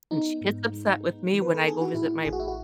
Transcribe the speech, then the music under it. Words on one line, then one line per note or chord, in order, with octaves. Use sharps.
and she gets upset with me when I go visit my
B3 D#4
G#2
G#3
B3
E3
B4
A4
B3 G#4
F#4
A2 E4
A1 G#4
F#4
E4
F#4